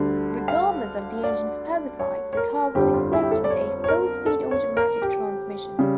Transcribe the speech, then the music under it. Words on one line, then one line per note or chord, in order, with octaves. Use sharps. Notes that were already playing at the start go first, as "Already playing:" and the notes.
Regardless of the engine specified, the car was equipped with a four-speed automatic transmission.
Already playing: D2 D3 G3
F5
D5
C#5
C#5
A#4
G1 F2 D3 G3 G4
F4
E4
G4
A4
D5
C#5
C#5
A#4
A4
C#5
A#4
G4
C#3 G3